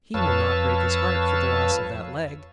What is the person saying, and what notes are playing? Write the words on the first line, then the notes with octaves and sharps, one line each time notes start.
He will not break his heart for the loss of that leg.
F2 B4 C#5 F5 A5 E6